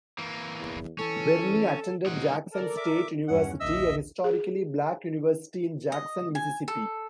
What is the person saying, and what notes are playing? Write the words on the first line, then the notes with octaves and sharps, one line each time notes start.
Barney attended Jackson State University, a historically black university in Jackson, Mississippi.
E3 A#3
E2
E3 C#4 A4
F1 D#4 F#5
A4 A#4 D5
E5 D6
E2 G2 C#4 F#5
A#1 D#2 D#5 E5 E6
G#4
D#5
G#5
A4